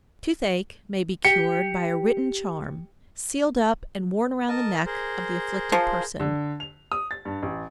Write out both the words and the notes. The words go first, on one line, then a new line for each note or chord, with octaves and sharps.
Toothache may be cured by a written charm, sealed up and worn around the neck of the afflicted person.
G4 C#7
A#4 D#5 A5
G#4 A#4 C5
F3
D3
F7
D#6
A6
G2
A1